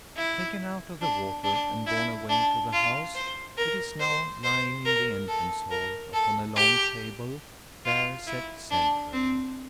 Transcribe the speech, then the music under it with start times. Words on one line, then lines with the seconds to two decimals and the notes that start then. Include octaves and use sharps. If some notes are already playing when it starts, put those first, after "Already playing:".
Taken out of the water, and borne away to the house, it is now lying in the entrance-hall, upon a long table there set centrally.
0.17 E4
1.02 D4
1.44 D4
1.86 E4
2.29 D4
2.73 F4
3.15 C5
3.58 A#4
4.00 C5
4.44 C5
4.86 A#4
5.28 A4
5.71 A#4
6.13 A4
6.56 G4
7.85 F4
8.27 E4
8.71 D4
9.13 C4